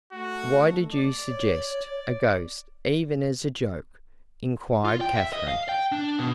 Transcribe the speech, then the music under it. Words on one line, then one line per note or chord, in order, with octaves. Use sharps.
"Why did you suggest a ghost even as a joke?" inquired Katherine.
A3 F#4
D5
C#5
F4
G5
E5
D#5
F5
G5
D4
B2